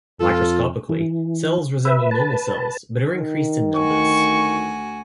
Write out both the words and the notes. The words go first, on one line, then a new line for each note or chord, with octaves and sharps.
Microscopically, cells resemble normal cells but are increased in numbers.
F2 F4 A4
E3
B4 E5
B4 A5
D#3
D2 F#4 G#5 C#6